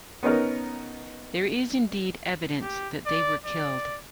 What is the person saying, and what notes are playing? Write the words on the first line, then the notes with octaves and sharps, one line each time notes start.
There is indeed evidence that they were killed.
B3 C#4 D#4 A#4
G4
D5
D5